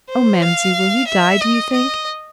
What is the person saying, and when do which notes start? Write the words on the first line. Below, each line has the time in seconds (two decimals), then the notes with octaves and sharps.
"Oh, mamsie, will he die, do you think?"
0.10 C5
0.42 F5
1.08 E5
1.41 D#5
1.72 D#5